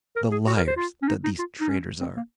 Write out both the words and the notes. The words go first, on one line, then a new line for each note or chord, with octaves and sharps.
The liars that these traders are!'
A#4
G#4
F#4
A#4
C5
F4
C#4
D#4
D#4
F4
D#4
C#4
C4
A#3